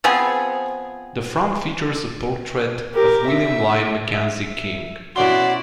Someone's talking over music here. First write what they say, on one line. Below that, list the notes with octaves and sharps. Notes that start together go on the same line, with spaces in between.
The front features a portrait of William Lyon Mackenzie King.
F3 B3 C4 G#4
G4 A#4
E5
E5
B2 C#4 E4 F#4 D5 C6 G7